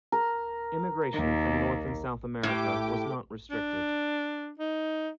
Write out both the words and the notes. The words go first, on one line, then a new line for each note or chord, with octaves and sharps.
Immigration from North and South America was not restricted.
A#4
D#2
A2 G4 D6
D4
D#4